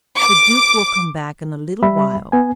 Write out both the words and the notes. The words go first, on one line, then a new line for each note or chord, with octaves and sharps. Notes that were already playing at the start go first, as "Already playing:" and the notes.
The duke will come back in a little while.
D6
G3 E5 B5
B3 G#5